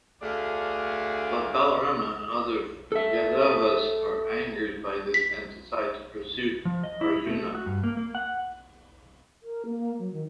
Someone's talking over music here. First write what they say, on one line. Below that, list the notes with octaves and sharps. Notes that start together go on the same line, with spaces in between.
But Balarama and other Yadavas are angered by this and decide to pursue Arjuna.
D2 D3 A3 G#4 D5 F5
A4 E5
B6
F3
D#5
E4
A3
F#4
G2
A#3
A#3
F#5
A#4
A#3
F#3
D#3